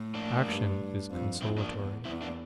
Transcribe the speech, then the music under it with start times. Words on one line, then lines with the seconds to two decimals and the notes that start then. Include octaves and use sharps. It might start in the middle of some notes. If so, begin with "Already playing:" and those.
Action is consolatory.
Already playing: A2
0.15 A#3 D4
0.47 G2
1.10 F2
1.42 F2 C4 E4
1.58 A#3 D4
1.74 E2
2.05 E2 C4 E4
2.22 A#3 D4